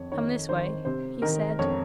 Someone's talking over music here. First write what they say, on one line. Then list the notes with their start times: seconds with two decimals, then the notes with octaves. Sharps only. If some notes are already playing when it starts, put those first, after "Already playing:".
"Come this way," he said.
Already playing: F2 C#5
0.12 D#3 C#5
0.49 D#3 C5
0.85 C3 C5
1.22 D#3 A#4
1.59 F2 C#5